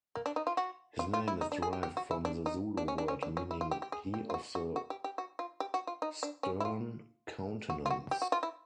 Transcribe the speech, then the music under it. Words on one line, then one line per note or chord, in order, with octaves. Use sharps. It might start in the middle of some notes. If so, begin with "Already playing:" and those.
His name is derived from the Zulu word meaning "he of the stern countenance".
A#3
D4
D#4
F4
F#4
F4
F4
E4
D#4
D4
G#4
G4
G4
F#4
E4
D4
D#4
D4
C#4
D4
C#4
D4
C#4
E4
F4
G4
G4
G#4
G4
F4
F#4
F#4
F#4
G4
G4
F#4
F4
G4
F#4
F4
D#4
D4
C#4
E4
F4
F#4
F4
F#4
G4
F#4
F4
E4